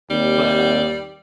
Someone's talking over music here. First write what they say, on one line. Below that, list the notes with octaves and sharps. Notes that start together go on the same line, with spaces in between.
But, uh,
D#2 G3 C4 D5